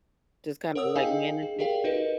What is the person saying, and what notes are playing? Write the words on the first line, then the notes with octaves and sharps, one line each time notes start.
just kinda, like, manage it.
A#4 C#5 F#5 D#6 E6
D#4 G#4 D#5 F5 G5 G#5
G#4
G4 G#4 A#4 D5 F5 G5
D#4 F#4 A#4 B4 D#5